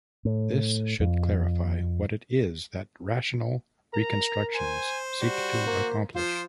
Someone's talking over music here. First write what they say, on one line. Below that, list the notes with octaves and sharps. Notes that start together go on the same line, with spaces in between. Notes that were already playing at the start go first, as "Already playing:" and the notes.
This should clarify what it is that rational reconstructions seek to accomplish.
A2
F2
A#4 A#5
C5 G#5
G3 F#4
A#3
F3 F4 C5